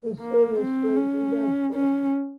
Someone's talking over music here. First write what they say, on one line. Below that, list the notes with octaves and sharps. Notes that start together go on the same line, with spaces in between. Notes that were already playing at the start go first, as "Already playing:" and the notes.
His service was eventful.
A#3
C4
C#4
C#4